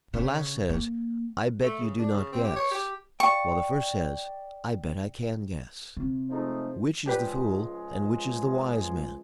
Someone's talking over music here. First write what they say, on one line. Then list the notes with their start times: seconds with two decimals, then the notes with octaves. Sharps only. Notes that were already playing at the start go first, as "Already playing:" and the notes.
The last says, 'I bet you do not guess,' while the first says, 'I bet I can guess.' Which is the fool, and which is the wise man?
0.14 C#3
0.70 A#3
1.63 A3
1.79 C#3
1.99 D4
2.13 C#3
2.32 C4
2.44 G4
2.56 C#5
2.71 G4
3.20 D5 F5 G5 C#6
5.97 C3
6.30 F3 G#3 A3 D#4
7.06 C#2 F3 G#3 D4 G4 B4